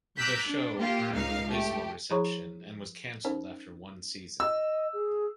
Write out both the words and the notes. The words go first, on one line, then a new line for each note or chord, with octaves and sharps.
The show earned abysmal reception and was cancelled after one season.
A#5 D6 E6 F#6 G6 B6
D4
A#3 F4 G4
C#2 D#4 F5
A3 G4
F3 E4 G#4 C#5 A#5 C#6
C#4 D#4 A#4 C5
D#5 E6
G#4